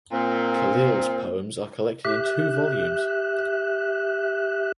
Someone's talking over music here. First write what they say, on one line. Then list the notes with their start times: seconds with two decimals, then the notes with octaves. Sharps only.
Khalil’s poems are collected in two volumes.
0.12 A#2 C4
2.05 G4 E5 F#6